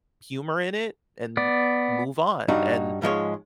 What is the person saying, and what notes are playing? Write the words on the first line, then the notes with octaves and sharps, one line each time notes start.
humor in it and move on, and
B3 D5
G2 D4 D#4 F#4
G#2 F3 G#3 C#5